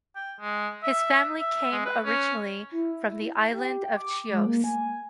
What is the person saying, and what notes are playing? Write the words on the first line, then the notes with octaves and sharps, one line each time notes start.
His family came originally from the island of Chios.
G5
G#3
E5
E5
G#3
B4
C#4
E4
G4
G5
D6
G#3
A#3
G#5